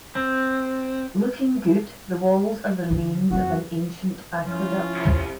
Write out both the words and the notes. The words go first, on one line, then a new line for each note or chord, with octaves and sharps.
Looking good the walls are the remains of an ancient aqueduct.
C4
D3 D#4
F2 F#3 F#4
F3 C#4 E4 F4
C2